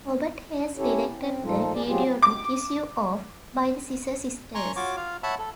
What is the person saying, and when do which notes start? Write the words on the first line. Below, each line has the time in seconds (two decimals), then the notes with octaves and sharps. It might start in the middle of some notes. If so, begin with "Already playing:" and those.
Robert Hales directed the video to "Kiss You Off" by the Scissor Sisters.
0.77 C#4 E4 G4 A4 C#5
1.16 C4
1.44 A#2 F3 D#4 F4 A4
1.74 G#4 D5
1.87 F#3 C4 F4 G4 G#4
2.23 D6
4.55 G#5 A#5 C6 C#6
4.76 F4 F#4 C#5 D6
4.96 F4 F5
5.23 C#5 E5 F#5 A5 B5
5.39 A4